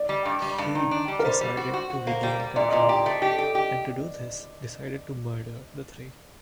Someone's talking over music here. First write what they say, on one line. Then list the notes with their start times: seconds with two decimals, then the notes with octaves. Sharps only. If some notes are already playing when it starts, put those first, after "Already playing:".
He decided to regain control and to do this decided to murder the three.
Already playing: D5
0.09 G3
0.25 G2
0.42 G3
0.58 G2
0.75 D#3
0.91 D4
1.08 G3
1.19 A#4
1.24 G3 C5
1.41 G3
1.57 F#4
1.74 F#4
1.90 F#4
2.07 A#3
2.23 G3
2.40 G3
2.56 A#2 D5
2.68 A#2 D#5
2.83 D5
2.89 G4
3.06 A3
3.22 G4
3.38 G4
3.55 G4